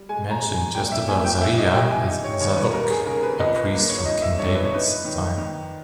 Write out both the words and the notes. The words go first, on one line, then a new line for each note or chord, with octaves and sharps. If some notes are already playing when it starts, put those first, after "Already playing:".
Mentioned just above Zariah is Zadok, a priest from King David's time.
Already playing: G3
G#3 G#5
A#5
G#3
G#5
A#2 G5
E5
A#3 G#5
G5
A#1 E5
D#5
G3 G5
G#5
D#4
C#5
D#2 C#5
B4
G3 A#4
G#4
C#3 A#4
B4
C#2 D#5
B4
A#3
C#5
D#4 D#5
E5
G2 C#5
B4
C#5
D#4 B4
D#3
D#3